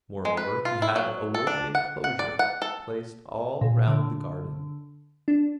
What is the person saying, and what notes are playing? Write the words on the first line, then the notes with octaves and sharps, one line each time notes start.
Moreover, he had a wooden enclosure placed all round the garden.
G#3
B4
F4
E4
F#3
A4
D4
F#5
F#5
D5
F#5
A4
A#2
D3
D4